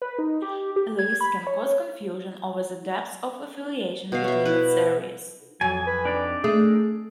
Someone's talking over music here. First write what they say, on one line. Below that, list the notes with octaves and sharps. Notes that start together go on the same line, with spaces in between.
This can cause confusion over the depth of affiliation between its areas.
B4
D#4
G4
G4
G#6
B5
C#5
B2 F5
C#5 E5
E4 B4
F2 F#3 G#5
B4
D4 D#4 D5
A3 G#4